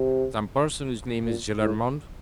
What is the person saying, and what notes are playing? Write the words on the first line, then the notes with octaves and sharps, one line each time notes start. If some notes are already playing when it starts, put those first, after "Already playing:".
"Some person whose name is Gillenormand?"
Already playing: C3
A#2
A2